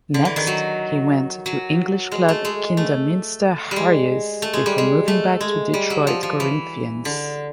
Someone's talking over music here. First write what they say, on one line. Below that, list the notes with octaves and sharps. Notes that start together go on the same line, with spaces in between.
Next he went to English club Kidderminster Harriers before moving back to Detroit Corinthians.
D3
E3
D#3
F#3
F#3
G#3
A3
G#3
A3
G3
G#3
A3
G#3
G3
G#3
A3
G#3
G3
F#3
F3
F3
E3
D3